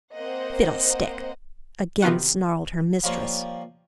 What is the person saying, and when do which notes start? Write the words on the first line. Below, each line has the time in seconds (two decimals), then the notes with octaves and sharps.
"Fiddlestick!" again snarled her mistress.
0.13 A#3 C4 C5 D#5 F#5
2.02 C3 D#3 B3 F4 F#4 F#5
3.04 F3 G3 A#3 C#4 F4